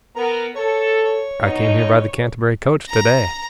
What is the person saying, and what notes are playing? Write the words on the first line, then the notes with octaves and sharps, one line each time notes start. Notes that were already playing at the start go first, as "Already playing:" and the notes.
'I came here by the Canterbury coach, today.
B3 A#4 A#5
A4 C#5
C#5
B2 D#4
A#5